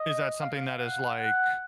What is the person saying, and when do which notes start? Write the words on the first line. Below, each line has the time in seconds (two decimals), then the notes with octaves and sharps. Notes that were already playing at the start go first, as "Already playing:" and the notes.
is that something that is like,
Already playing: D#5
0.42 F5
0.80 F#5
1.19 F#5